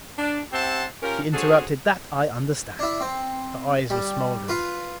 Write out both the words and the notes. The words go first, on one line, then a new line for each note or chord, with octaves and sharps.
She interrupted, "That I understand." Her eyes were smoldering.
D4
C4 G4 C5 E5 F#5 A5
C#4 F4 G4 A#4
D4 F#4 G#4 A4 C5 C#5
D4 E4
C4
G3
F4 B4